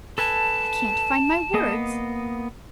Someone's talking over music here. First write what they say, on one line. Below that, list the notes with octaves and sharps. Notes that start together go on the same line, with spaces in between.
I can't find my words.
A4 B4 G#5 A5
A#3 B3 D#5